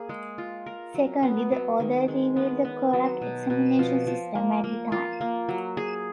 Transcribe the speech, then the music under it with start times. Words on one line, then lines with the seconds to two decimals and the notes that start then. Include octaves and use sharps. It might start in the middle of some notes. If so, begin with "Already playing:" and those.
Secondly, the author revealed the corrupt examination system at the time.
Already playing: A#3 G#4
0.09 G#3
0.38 F4
0.66 A#4
0.94 F#3
1.23 B3
1.52 F#3
1.80 D#3
2.08 G#3
2.36 B3
2.65 B3
2.93 F#3
3.22 B2
3.50 B2
3.79 F3
4.07 F3
4.35 A#3
4.64 A#3
4.92 F4
5.21 A#3
5.49 F#3
5.77 G#4